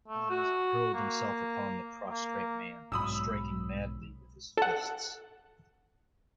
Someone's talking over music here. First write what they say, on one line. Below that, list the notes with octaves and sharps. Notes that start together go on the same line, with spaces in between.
Hans hurled himself upon the prostrate man, striking madly with his fists.
A3
F#4
A#3
A#3
B1 G#2 F#3 C#4 B5 D#6 E6
A4 F#5